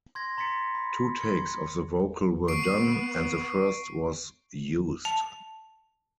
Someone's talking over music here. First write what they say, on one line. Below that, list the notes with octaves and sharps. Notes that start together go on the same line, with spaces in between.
Two takes of the vocal were done, and the first was used.
C6 G#6 A#6
A#5 C6 A6 B6 C#7
B5
C6 G#6 C#7
B3 C#6 C7 D7
A5